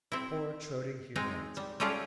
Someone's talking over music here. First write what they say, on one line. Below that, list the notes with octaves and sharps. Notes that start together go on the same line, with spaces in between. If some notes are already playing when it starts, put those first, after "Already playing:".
Poor, toadying humanity!
C4 E4
G#3 C4 D#4
G3
G3 A3 C#4 F4 G4 G#4